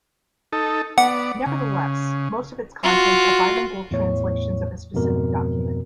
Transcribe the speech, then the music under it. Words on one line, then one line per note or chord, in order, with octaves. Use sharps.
Nevertheless, most of its contents are bilingual translations of a specific document.
D#4 A4
B3 D5 F#5
C#3
F4 F#4
E2 A2 C#5
F2 G#2 B2 A#4